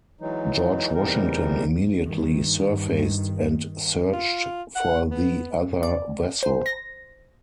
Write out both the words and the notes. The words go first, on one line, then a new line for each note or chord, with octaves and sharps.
"George Washington" immediately surfaced and searched for the other vessel.
E3 F#3 G#3 D#4
E2 C3 E3 G3 D#4 A#4
G2 D#3
F4
F#5
B3
D5
C5
A#6